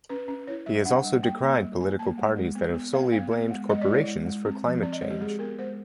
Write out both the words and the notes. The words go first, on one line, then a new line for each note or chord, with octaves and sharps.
He has also decried political parties that have solely blamed corporations for climate change.
C#4 B4
C#4
E4 C#5
G3 E5
D4 F#5
G3
A#3 G5
A#3
G3
A#3 G#5
A#3 A5
G#3
G#3
B3
B3
B3 F5
B3 F5
B3
G#3
G#3 D#5
D5
E4
C#5
G#3
G#3
C4
F3
C4 D5
D#5
G#3 C#5
G4
G#3 G#4
B3 A#4
G#3 C5